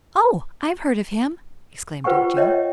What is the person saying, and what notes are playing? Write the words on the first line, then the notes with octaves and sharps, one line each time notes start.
"Oh, I've heard of him!" exclaimed Ojo.
F4 B4 C5 F#5 G5 C#6
C#5 D#5 E5 G5